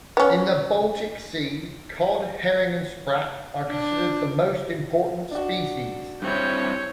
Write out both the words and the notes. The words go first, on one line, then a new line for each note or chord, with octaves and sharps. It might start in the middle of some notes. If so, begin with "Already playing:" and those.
In the Baltic Sea, cod, herring, and sprat are considered the most important species.
B3 C#4
D4
D4 F#4
G2 C4 E4 C#5 G6